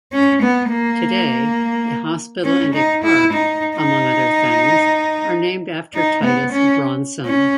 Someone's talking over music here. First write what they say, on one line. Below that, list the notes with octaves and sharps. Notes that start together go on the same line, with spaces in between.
Today, a hospital and a park, among other things, are named after Titus Bronson.
C#4
B3
A#3
C#4
D#4
E4
D#4
D#4
D#4
B3
C#4
C#4